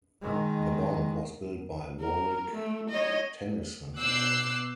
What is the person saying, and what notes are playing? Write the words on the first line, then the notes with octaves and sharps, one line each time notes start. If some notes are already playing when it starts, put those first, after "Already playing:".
The bomb was built by Warrick Tennyson.
D#3 G#3
A#4
A3
C#5 D#5
B2 D6 E6 F#6 G6 C7